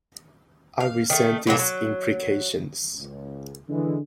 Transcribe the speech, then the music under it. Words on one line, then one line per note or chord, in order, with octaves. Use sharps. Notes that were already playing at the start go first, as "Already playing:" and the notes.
I resent these implications.
F5
D#3 A3
B2 F#3 A#3 A4
F#3
C#2
D3 E3 G#3